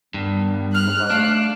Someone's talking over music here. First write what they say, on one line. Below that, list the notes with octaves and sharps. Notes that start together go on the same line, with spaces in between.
It was like,
G2 D#3 G3 B3
F6 F#6
A3 D4 F5